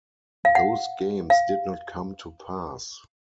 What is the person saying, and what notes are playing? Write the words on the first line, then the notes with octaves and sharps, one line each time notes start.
Those games did not come to pass.
F5
F#5
F5